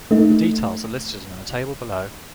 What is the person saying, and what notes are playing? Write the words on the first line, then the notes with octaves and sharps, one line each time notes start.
The details are listed in the table below.
A3 D#4